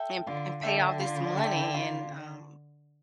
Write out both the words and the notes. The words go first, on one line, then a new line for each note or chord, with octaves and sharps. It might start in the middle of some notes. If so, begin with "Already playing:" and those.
And p and pay all this money and, um
Already playing: A4 E5 G5
D3 F4
D3 A4 E5 G5
F4
A4 E5 G5
F4